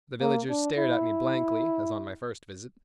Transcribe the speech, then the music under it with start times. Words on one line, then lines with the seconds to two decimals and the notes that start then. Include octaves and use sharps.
The villagers stared at me blankly as on my first visit.
0.21 A#3
0.49 D4
0.78 E4